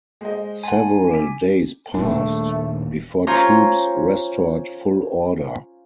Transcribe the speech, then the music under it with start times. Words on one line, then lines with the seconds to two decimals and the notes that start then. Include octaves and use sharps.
Several days passed before troops restored full order.
0.21 G#3 C5 D#5
0.64 F#5 G#5 A5 C6
1.10 D6 B6
1.94 D#1 A#2 A3 D4
3.27 C#4 F4 C5 C#5 A#5